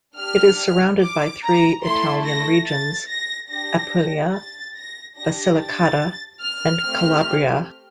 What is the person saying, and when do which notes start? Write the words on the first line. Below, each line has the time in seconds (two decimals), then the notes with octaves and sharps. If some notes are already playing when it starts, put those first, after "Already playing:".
It is surrounded by three Italian regions, Apulia, Basilicata, and Calabria.
0.17 D4 G4 F6
1.01 D6
1.43 A#5
1.84 A3 E4 A4 C6
2.26 A#6
2.67 A6
3.09 A#6
3.50 D4 G4 A#6
4.33 A6
4.76 A#6
5.17 D4 G4 A#6
5.58 A6
6.42 F6
6.84 A3 C4 G4